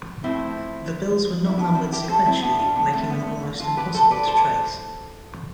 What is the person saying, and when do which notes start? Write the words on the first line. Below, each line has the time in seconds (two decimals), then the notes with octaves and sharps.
The bills were not numbered sequentially, making them almost impossible to trace.
0.23 D3 F3 A3 C4 E4
1.46 E4
1.58 B3 D4
1.75 C4 E4
1.92 E4 G4
2.09 A4 C5
2.25 C4 E4
2.42 B3 D4
2.59 D4 F4
2.76 B3 D4
2.93 A2 G3 A3 C4
3.10 B3
3.26 A3
3.60 F4 A4
3.77 G4 B4
3.94 A4 C5
4.11 B4 D5
4.27 A4 C5